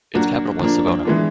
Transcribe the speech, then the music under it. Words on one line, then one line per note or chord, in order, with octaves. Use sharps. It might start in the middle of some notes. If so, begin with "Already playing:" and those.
Its capital was Savona.
F#3 A#3 D4 F#4
F3 A#3 D4
E3 G#3 B3 D4